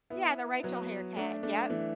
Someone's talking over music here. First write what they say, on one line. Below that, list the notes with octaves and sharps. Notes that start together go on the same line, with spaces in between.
Yeah. The Rachel haircut. Yep.
B3 E4
F#3 B3
A3 D4
A3 D4
E3 A3